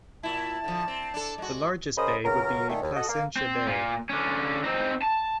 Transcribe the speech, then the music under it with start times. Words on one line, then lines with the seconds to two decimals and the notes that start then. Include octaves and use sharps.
The largest bay would be Placentia Bay.
0.23 A#2 E4 A5
0.64 D3 F3
0.88 C4
1.14 D4 A4
1.38 G#3 F#4
1.97 C#3 A#4 C5 D#5 B5 D#6
2.24 C#2 C#3 F#3 A#4
2.69 A#2 D#3 A3
2.82 D#2
2.95 F#4 A4 D#5
3.09 A#3
3.36 C4
3.68 A#2
4.09 D3 C#4
4.64 C4 D#4
5.02 A5